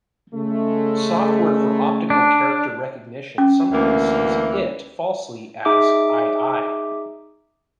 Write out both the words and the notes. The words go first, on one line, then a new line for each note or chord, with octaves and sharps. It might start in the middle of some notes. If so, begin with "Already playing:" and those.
Software for optical character recognition sometimes sees it falsely as "ii".
C#3 G#3 A3
D4
C#4 D6
D2 E3 A#3
D#4 G#4 E5 D6